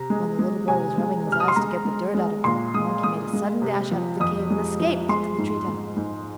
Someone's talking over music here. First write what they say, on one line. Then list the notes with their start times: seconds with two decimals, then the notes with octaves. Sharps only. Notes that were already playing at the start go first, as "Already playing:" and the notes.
When the little boy was rubbing his eyes to get the dirt out of them the monkey made a sudden dash out of the cave and escaped to the tree tops.
Already playing: C3 A#5
0.10 G#3
0.39 G#3
0.68 C3 G#5
0.98 G#3
1.27 C3
1.32 F6
1.40 D#6
1.48 C6
1.56 G#3 A#5
1.85 G#3
2.15 G#3
2.44 A#2 C6
2.74 G#3 D#6
3.03 G#3 D#6
3.33 G#3
3.62 C3
3.91 F3
4.20 F2 D#6
4.50 G#3
4.80 F3
5.09 G#3 C6
5.38 G#2
5.68 G#3
5.96 G#2